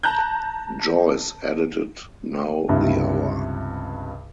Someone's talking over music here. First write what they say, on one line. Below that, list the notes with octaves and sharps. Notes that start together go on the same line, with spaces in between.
Joyce edited Now's the Hour!
A5 A#5 F#6 G6
C#2 G2 C3 E4 E5